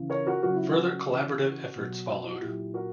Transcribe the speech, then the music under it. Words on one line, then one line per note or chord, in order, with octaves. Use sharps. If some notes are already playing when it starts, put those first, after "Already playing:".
Further collaborative efforts followed.
Already playing: C#3 E3
A#4 C#5
F#4 A#4
C#3 F#3 F#4
E4
F#4
C#3 E3
B2 F#3
E4
F#4
A#2 F#3 E4 G4
F#4 A#4